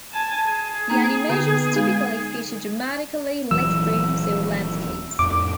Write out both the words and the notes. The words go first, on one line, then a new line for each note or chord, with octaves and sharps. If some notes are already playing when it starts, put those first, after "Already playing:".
The animations typically feature dramatically-lit rooms or landscapes.
G#5 A5
G#4 G#5
A#3 D#4 A#5
D3 B3
G#3 D#4
D#1 E3 F#3 E6
F2 A2 D6